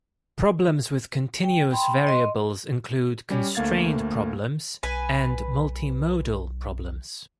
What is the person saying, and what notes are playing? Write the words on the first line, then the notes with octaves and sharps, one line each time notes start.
Problems with continuous variables include constrained problems and multimodal problems.
G5
G5 B5 C6
D#5 C6
G3 C#4 G4 C#5
D2 A3 A#3 F5 G#6 A6
B1 B4 G#5